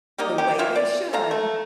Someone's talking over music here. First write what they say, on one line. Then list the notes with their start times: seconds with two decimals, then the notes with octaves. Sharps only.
"the way they should,
0.18 G3 A#3 D#4 D#5
0.38 A#3 C#4 G4
0.59 E3 F4 C#5 E5
0.76 D5
1.13 A4 F5 A#5
1.31 A3